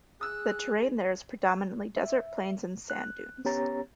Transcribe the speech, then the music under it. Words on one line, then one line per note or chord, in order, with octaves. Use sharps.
The terrain there is predominantly desert plains and sand dunes.
G#4 D#6 E6 F#6
E5
F#6
B3 C#4 G4 C#5 A#5 A6